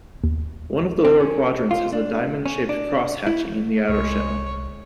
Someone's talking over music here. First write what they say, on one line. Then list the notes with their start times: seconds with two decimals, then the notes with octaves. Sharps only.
One of the lower quadrants has a diamond-shaped cross-hatching in the outer shell.
0.24 D#2
1.05 C4
1.20 C#4
1.71 F4
1.93 D4
2.46 C#4
2.69 D4
3.27 E4
3.89 C2 G#3 C#5